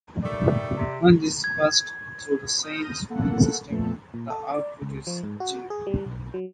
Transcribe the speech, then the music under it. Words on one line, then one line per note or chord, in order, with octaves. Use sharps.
When this is passed through the same smoothing system, the output is zero.
D#3 G3 A3 D5
C3
G#6
D#6 F6 G6 A#6 D#7
A#3 A4 F#5
F2 A#2 A3 B3 A4
A#2
A4
D5
C#2
F3
G#2
F#4
G#4
G3
B1
F#3